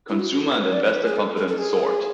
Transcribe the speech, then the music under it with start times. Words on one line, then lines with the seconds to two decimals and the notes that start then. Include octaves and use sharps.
Consumer and investor confidence soared.
0.09 E4
0.19 F#4
0.30 F#4
0.41 A4
0.52 B4
0.62 C#5
0.73 D5
0.84 C#5
0.90 A4
0.94 B4
1.05 G#4
1.16 A4
1.37 A4
1.48 A4
1.58 G#4